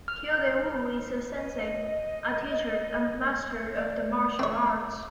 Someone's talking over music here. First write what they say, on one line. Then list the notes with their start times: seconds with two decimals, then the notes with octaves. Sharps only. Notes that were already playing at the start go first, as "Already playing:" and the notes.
"Kildee Wu is a sensei", a teacher, a master of the martial arts.
0.08 F6
1.37 D#5
3.75 D5
4.39 C4 C#5